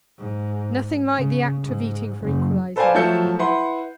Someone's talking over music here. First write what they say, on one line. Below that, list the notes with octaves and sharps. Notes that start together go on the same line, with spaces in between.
'Nothing like the act of eating for equalising men.
G#2
C#3
G#2
F#1
A4 B4 C5 D5 F5 G#5
F3 F#3 A3 E5 G6 C#7
E4 B4 F#5 C6